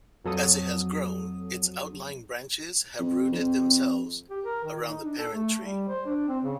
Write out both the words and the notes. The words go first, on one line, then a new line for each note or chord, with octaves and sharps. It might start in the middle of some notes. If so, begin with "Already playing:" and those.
As it has grown, its outlying branches have rooted themselves around the parent tree.
F2 F#3 A4 D#6
F2
F2
G4
A#4
D#3
D#4
D4
A4
A3
G3
C5
D4
C4
C#3